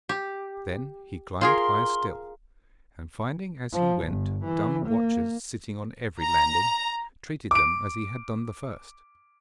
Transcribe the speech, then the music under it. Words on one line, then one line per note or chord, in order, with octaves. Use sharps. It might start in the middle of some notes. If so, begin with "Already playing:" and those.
Then he climbed higher still, and finding as he went dumb watchers sitting on every landing, treated them as he had done the first.
G4
F4 G#4 A#4 C6
F3
G1
E3
A#3
A#5
D6 D7